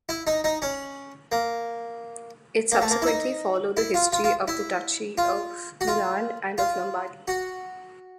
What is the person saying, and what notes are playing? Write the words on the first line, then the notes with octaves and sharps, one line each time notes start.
It subsequently followed the history of the Duchy of Milan and of Lombardy.
E4
D#4
D#4
C#4
A#3
A#3
A3
A#3
E4
D#4
E4
F4
F4
F4
E4
F4
F#4
F4
F4
F#4